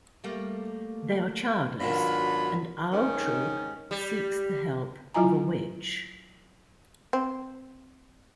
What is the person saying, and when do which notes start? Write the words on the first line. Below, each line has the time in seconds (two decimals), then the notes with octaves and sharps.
They are childless, and Aotrou seeks the help of a witch.
0.24 G3 A3 A#3
1.80 G#2 B2 D#3 F#3 D4 F4 B5
2.92 G#2 D#3 C#4
3.91 G3
5.14 F#3 E4 F4 D#5 G#5 A#5
7.13 C4